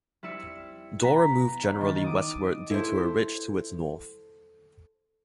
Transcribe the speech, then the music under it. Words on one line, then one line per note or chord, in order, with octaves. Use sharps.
Dora moved generally westward due to a ridge to its north.
G3 C4 E4 E6 C#7
B3 A#5 B6
E1
D#3 A6
D6 D#6
E4 A4 C5